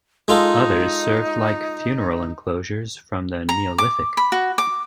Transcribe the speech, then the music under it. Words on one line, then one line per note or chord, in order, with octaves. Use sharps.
Others served like funeral enclosures from the Neolithic.
G#3 D#4 F4 A4
A#5
D6
B5
F#4
D6